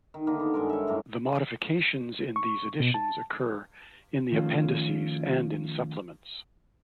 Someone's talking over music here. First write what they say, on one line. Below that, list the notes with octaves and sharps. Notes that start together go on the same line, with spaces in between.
The modifications in these editions occur in the appendices and in supplements.
D#3
D3 D#3 A#3
B3
G2 G#3 A#4
C#5 E5
F#2 A2 A3 A#3
C#6
B2
A5
D#3 F3 A3 C#4 F4